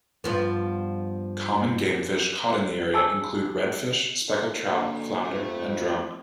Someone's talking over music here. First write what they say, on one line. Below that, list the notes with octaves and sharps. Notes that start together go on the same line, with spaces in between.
Common game fish caught in the area include redfish, speckled trout, flounder, and drum.
G2 F3 B3
G#4 G#5 A5 E6
D3 A#3 F#4
F2 A3 E5